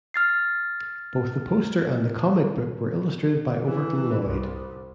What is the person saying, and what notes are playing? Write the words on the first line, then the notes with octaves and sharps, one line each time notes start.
Both the poster and the comic book were illustrated by Overton Loyd.
F6 A6 C7
E3
C2